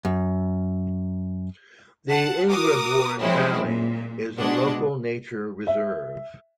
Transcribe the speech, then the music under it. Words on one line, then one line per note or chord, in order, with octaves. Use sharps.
The Ingrebourne Valley is a Local Nature Reserve.
F#2
F#5 A5
F#4 A#4 D6 D#6
F3 F#3 G#3 C4 C#4 E4
A#2
B2 G#3 D4 F#5
E5